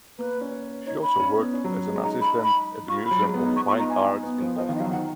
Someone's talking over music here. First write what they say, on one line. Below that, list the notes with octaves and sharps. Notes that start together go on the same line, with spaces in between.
She also worked as an assistant at the Museum of Fine Arts in Boston.
A#3 B4
C#4
D#4 C#5
B5
C#4
B3
C#4
F#3
G#3
D#4 A#5
B5
B5
F4 C#6
B5
F#3
G#3
B3
D#4
B3 C#6
F4 C#6
D#4 A#5
G#5
B3
F3
F3 D#5
D#3 F5
D#5
F#3 F5
D#3 F#5